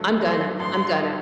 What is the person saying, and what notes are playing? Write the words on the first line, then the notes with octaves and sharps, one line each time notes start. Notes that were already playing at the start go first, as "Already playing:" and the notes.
I'm gonna. I'm gonna.
Already playing: G1 G2 F#3 A3
G1 G2 F#3 A3 C6
A1 G2 F#3 C6
F#3